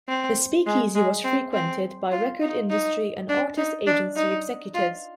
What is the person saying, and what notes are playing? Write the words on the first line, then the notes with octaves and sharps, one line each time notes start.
The Speakeasy was frequented by record industry and artist agency executives.
C4
G#3
G#3
C4
C4
F4
D#4
D#4
D4
D#4
D4
D#4
F4